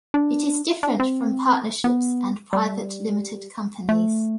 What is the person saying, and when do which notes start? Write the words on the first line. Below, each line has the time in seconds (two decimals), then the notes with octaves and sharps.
It is different from partnerships and private limited companies.
0.14 D4
0.83 D4
1.00 C4
1.84 B3
2.53 G3
3.89 A3